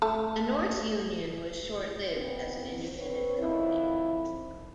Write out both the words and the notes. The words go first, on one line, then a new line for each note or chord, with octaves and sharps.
The North Union was short-lived as an independent company.
A3 A5
A#2 B3 C4
C4 B4 C#5
F2 D#3 E4